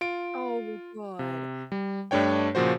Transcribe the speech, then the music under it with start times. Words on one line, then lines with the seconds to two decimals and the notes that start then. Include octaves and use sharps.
Oh, good,
0.01 F4 D7
1.19 C3
1.72 G3
2.11 G2 A3 D4 C#5 G5
2.55 A#2 C#3 F3 F#4 C5